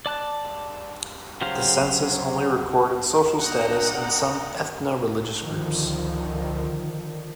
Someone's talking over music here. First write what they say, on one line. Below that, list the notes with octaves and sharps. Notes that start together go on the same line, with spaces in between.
The census only recorded social status and some ethno-religious groups.
D5 A5 F#6
C#3 F#3 G4 C5 F5
A#3 D4 D#5 F#5 G5 A#5
D3 D#3 F3